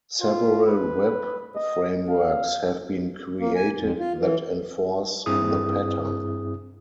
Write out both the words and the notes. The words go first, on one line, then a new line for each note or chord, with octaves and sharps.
Several web frameworks have been created that enforce the pattern.
F4
B4
D#5
F5
A#3
G#5
F2
F4
E3
G2 C4 E4 G#4 D#6